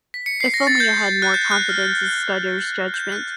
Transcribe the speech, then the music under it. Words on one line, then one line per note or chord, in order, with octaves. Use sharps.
If only I had more confidence in Scudder’s judgement.
B6
C#7
C7
A#6
A6
G6
F#6
G6
F#6
F6
G6
F#6